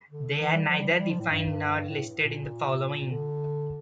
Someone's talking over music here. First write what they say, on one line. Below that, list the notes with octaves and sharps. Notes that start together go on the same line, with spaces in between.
They are neither defined, nor listed in the following.
D3
E3
G3
F3
G3
F3
G3
F3
A2
G2
A2
A#2
D3